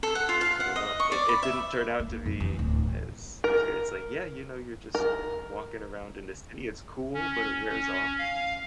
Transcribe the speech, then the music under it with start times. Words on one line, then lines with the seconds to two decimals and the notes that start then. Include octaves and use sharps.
I don't know, i it didn't turn out to be as as good, it's like, "Yeah, you know, you're just walking around in the city, it's cool." But it wears off.
0.03 A4
0.15 F#5
0.29 F4
0.41 F5
0.60 F#5
0.76 D#5
1.00 C#6
1.12 D5
1.29 B5
1.43 E5
2.00 A#3
2.26 F2
2.40 E3
2.59 D1
3.44 A#4
4.95 A#4
7.14 C#4
7.69 C#4
8.18 F5